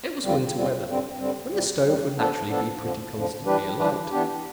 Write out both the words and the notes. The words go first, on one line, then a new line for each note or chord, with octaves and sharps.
It was winter weather, when the stove would naturally be pretty constantly alight.
E2 D3 G3 C4 F4
E2 D3 G3 C4 F4
G2 D3 G3 C4
G2 D3 G3 C4
E2 C3 G3
E2 C3 G3
F3 B3 D4 A4
F3 B3 D4 A4
F2 D3 F3
F2 D3 F3
E3 G3 D4 G4 B4
E3 G3 D4 G4 B4
E3 B3 D4 G4